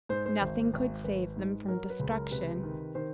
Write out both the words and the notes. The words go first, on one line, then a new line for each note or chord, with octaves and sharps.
Nothing could save them from destruction.
G#2 C5
C5
G#1 C5
G#1
G#1 B4
G#2
F#3 A#4
B4
C#2
A#4
C3 B4
D#3
D#3 C5